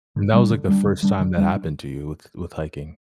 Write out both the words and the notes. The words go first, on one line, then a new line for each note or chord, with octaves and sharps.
And that was, like, the first time that happened to you with with hiking.
D3
G3 D4
D3
G3 D4
D3
G3 D4
D3
G3 D4